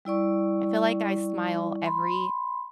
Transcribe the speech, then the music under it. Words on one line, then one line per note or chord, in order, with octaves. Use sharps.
I feel like I smile every
G3 E4 D5 C#6
B5 C6